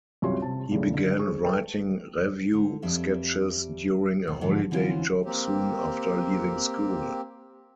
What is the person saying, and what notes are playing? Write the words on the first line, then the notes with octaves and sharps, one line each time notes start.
He began writing revue sketches during a holiday job soon after leaving school.
C2 F#2 F4 G4 C#5 C6
C3 A5
E2 A2 C#3
D3
G#4 C5 C#6
A4 B4 E5 G5
D3
F2 G3 E5
B2
G#2 D3 F3
D3 E3 C4 C#4 F4
A#3 C4 G4